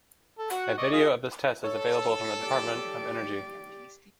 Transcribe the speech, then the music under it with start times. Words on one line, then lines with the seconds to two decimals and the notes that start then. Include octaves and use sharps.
A video of this test is available from the Department of Energy.
0.39 A4
0.51 F#4 F#5
0.78 D5 D#5 C#6
0.93 F4 G#4 D#5
1.64 A4 C#5
2.43 G4 D5